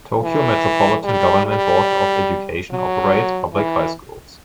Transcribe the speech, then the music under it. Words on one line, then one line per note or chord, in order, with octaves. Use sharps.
Tokyo Metropolitan Government Board of Education operates public high schools.
E3
G3
G3
F#3
E3